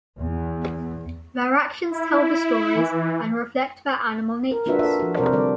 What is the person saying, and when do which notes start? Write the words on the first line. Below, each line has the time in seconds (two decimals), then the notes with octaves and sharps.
Their actions tell the stories, and reflect their animal natures.
0.20 E2
1.91 E4
2.75 E3
4.51 A#4
4.66 A#3 D4 F4 F#4 B4 E5
4.79 A4 A#4 E5
5.00 F3 F#4
5.16 C3 F#3 C4 A#4 C5 D5
5.32 D3 G3 A4 D5